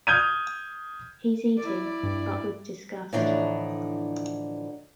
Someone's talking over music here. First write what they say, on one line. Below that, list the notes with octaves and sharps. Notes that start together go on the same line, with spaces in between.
He’s eating, but with disgust.
D#6 F6 G6 G#6 D#7
E4 D5
G2
A2 D3 E3 F3 D4 D#4